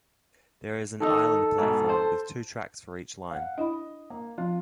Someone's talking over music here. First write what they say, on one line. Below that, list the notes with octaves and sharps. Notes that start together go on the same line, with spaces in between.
There is an island platform with two tracks for each line.
D#3 D#4 A4
G#2 B2
C5
F5 F#5
D4 E4 D#5 B5
A#3
F3 C4 F4